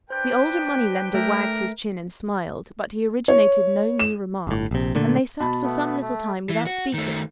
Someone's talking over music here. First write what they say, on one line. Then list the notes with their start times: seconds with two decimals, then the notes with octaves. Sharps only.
The older money-lender wagged his chin and smiled, but he originated no new remark, and they sat for some little time without speaking.
0.10 D4 B4 C5 G5 G6 G#6
1.14 A3 A#4
3.28 C#5
3.99 E7
4.47 G1 A2
4.71 A#1 C3
4.95 A#2 D3 A3
5.40 B2 A5 B5
5.63 A3 B3
6.01 A3
6.50 E3
6.67 F#4
6.94 D#3 A3